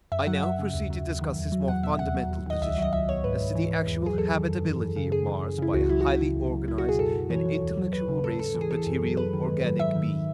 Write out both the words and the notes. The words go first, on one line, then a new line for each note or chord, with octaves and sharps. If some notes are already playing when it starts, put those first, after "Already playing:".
I now proceed to discuss his more fundamental position as to the actual habitability of Mars by a highly organised and intellectual race of material organic beings.
F#2 E5
F#3 F#5
F#2 E5
C#3
D#2
F#3
D#2
D#3
E2
F#3
E2 F#5
B2 E5
D#2 F#5
F#3
D#2
D#3 D#5
C#2 E5
F#3 D#5
C#2 E5
B2 C#5
G#2 B4
G#2
E3
E3
E2
F#3 G#4
E2 A4
D#3
F#2
E3
F#2
C#3
F#2 G#4
E3
F#2
C#3 E4
C#2 F#4
F#3 E4
C#2 F#4
E4
C#3
C#2
F#3
C#2 E4
F#4
B2
G#4
F#2 A4
F#2
E3 C#5
E3
D#2
F#3
D#2 B4
C#3
G#2 A4
G#2 A4
E3
G#4
E3 A4
F#2
F#3
F#2 B4
D#3
G#2
F#3
G#2 E5
D#3